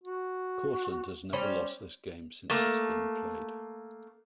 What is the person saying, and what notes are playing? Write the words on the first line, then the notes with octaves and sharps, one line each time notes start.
Cortland has never lost this game since its been played.
F#4
G3 C#4 C5
A3 A#3